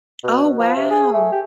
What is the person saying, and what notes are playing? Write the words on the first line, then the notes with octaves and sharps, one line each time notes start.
Oh, wow!
B2
B2
F3
C3
G#4
A3
G4